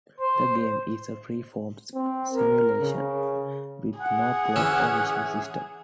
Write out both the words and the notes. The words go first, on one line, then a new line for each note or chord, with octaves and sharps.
The game is a free-form simulation, with no plot or mission system.
C5
C4
A#4
C#3
G#4 F#5
E3 C#4 E5